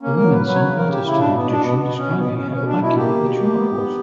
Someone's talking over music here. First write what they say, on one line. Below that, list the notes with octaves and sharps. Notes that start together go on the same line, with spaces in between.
The women sent letters to the magician describing how accurate the chart was.
A#3 C#4
A#4
F#3
B4
F#3 B4
C#5
C#3 B4
C#3 A#4
G4
C#3 E4
B2 D4
B2 B3
D4
B2 B3
B2 B3
B2 C#4
B2 B3
B3
B2 C#4
B2 C#4
D4
B2
E4
A#3 G4
B2
A#3
B3
B3